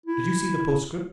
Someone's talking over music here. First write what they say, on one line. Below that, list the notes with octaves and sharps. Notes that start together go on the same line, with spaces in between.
"Did you see the postscript?"
E4